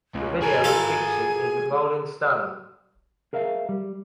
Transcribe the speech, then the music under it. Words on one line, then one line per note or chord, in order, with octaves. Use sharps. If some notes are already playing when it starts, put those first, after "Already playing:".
The video was featured in "Rolling Stone".
C#2
G#4 A#4 G#5
F4 A4
G#4 A#4 E5 F5
G3